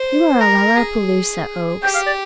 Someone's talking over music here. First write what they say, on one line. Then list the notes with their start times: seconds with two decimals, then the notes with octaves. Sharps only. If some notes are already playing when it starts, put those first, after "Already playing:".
"You are a lalapazooza, Oakes."
Already playing: C5
0.41 A#4 A#5
0.76 G#4
1.83 G4 G5
1.94 F5
2.06 D5